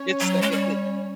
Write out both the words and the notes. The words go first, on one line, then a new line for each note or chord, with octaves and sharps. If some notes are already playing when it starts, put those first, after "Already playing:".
it's, uh, it it
Already playing: C#4 C#5
F#3
G#3
G3